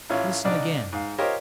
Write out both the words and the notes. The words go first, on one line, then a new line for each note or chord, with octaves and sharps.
Listen again.
A1 E4 F4 C#5
C2 D4 D#4 D5
G#2 F5
F4 G4 A#4 C5 C#5 D#5